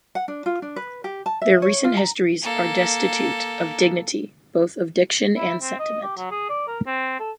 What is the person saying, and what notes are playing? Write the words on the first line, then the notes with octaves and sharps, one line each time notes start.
Their recent histories are destitute of dignity, both of diction and sentiment.
F#5
D4
F4
D4
B4
G4
A5
E5
C#5
F4
A#5
A#3 A4
E4
C4
D#5
G4
F#3
G#4
D5
A#4
C4
A4